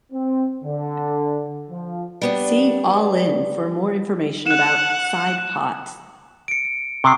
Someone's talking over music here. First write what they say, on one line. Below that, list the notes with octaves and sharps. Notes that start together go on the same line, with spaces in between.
See "all in" for more information about "side pots".
C4
D3
F3
G3 B3 D4
F#5 F#6 E7
C#7 D7
C3 C#6 D#6 C7